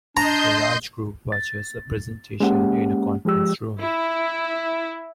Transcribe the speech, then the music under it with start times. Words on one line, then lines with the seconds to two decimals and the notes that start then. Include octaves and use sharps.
A large group watches a presentation in a conference room.
0.17 D4 D#5 A#5 C6 G6
1.32 A6
2.40 G#3 A#3 C#4 G4 F#5
3.25 F3 G#3 G4 E6
3.81 E4